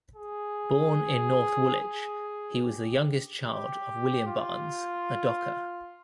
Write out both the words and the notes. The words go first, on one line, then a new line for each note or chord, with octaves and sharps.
Born in North Woolwich, he was the youngest child of William Barnes, a docker.
G#4
G#4
G4
G4
F4